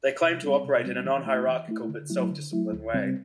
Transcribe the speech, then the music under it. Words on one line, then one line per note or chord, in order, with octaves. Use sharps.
They claim to operate in a "non-hierarchical but self-disciplined way".
C3
G3 C4
C3
G3 C4
E3
A3 E4
E3
A3 E4
D3
F#3 A3 E4
D3
F#3 A3 E4
D2
C3 G3 C4